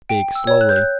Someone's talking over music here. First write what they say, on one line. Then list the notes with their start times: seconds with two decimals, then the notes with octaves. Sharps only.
Bake slowly.
0.09 G5
0.35 E6
0.47 C#5
0.61 F#6
0.69 G6
0.76 F#6